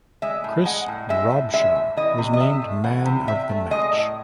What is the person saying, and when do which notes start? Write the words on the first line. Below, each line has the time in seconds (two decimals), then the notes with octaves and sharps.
Chris Robshaw was named man of the match.
0.22 G#3 E5
0.44 A2
0.65 G#3 F#5
0.88 A2
1.09 G#3 E5
1.32 A2
1.54 G#3 E5
1.75 A2
1.97 E3 D#5
2.18 C3
2.33 D#5
2.40 C3 E5
2.62 A3
2.84 E3 F#5
3.05 C3
3.28 C3 E5
3.49 A3
3.71 G#3 D#5
3.92 A2